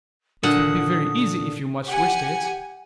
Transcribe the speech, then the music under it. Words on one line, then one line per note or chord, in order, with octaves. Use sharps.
"It would be very easy if you much wished it?"
A#2 D3 F#5 D#6
G4 F#5 G#5